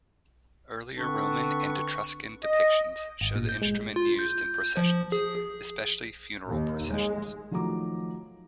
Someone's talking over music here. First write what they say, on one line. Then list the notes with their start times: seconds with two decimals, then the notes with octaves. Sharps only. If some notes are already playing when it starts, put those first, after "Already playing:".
Earlier Roman and Etruscan depictions show the instrument used in processions, especially funeral processions.
0.96 D3 C4 D4 B4 C#6
2.44 D#5
3.21 G#1
3.36 A#2
3.49 G6
3.62 G#3
3.96 F4
4.19 G6
4.54 G6
4.77 F3
5.12 G#4
6.47 D#2
6.91 G#3
7.51 D#3 F3 F#3 A3 A#5 D6